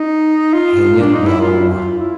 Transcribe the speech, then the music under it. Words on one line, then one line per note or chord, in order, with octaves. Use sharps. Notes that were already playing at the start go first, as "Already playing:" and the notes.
"Hang it, no!"
Already playing: D#4
F4
D4
D#4
E4
F4
F4
E4